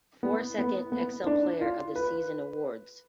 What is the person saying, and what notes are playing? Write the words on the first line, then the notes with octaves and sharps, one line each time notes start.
Four second xl player of the season awards.
B3
B3
B3
D4
F4
B4